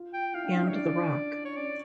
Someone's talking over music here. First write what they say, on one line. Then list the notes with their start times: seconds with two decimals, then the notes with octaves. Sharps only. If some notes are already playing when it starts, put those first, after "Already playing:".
And the rock.
Already playing: F4
0.13 G5
0.34 E4 F5
0.44 D4
0.54 C#4
0.64 E4
0.68 C#5
0.75 D4 D5
1.45 C#5
1.56 C#4 D5